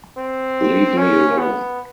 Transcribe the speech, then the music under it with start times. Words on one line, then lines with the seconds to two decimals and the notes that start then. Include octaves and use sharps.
Leave me alone.
0.17 C4
0.97 C#4
1.38 B3